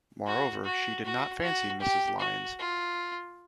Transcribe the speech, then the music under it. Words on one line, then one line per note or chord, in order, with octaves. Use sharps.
Moreover, she did not fancy Mrs. Lyons.
F#4
F#4
F#4
F#4
G4
F#4
F4